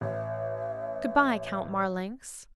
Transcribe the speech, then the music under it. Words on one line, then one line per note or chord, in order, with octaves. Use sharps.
"Good-bye, Count Marlanx."
A1 E5